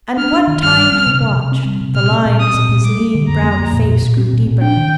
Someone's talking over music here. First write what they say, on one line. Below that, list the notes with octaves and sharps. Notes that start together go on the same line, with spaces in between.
And what time he watched, the lines in his lean brown face grew deeper.
D4 F6
D4
D#3
G2 F6
G3
G3
C3
C3
C3
C4
G3
C3
A#2 F6
C4
A#2
C4 D#6
A#2
A#2
G3 D6
A#3
D3
F2 A#5
A#3
F2
A#2
A#2
A#2
C4
A#2
A#2
D4 G5
D#3